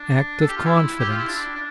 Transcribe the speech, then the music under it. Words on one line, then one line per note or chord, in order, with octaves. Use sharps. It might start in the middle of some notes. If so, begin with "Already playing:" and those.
Act of Confidence.
Already playing: D4
A4
G4
F4
E4
G4
F4
E4
D4
D4